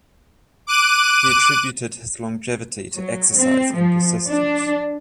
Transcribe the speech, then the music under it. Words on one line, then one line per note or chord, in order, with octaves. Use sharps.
He attributed his longevity to exercise and persistence.
D6 F#6 D#7
F#3
C4
F3
D4